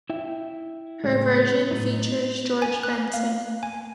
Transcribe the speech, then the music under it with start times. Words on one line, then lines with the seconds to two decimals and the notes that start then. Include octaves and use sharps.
Her version features George Benson.
0.10 E4 E5 G5
1.04 C#2 A2 G#3
1.71 A2 F#3 D#4
2.62 G#5
2.83 F#6
3.14 F5
3.63 G#5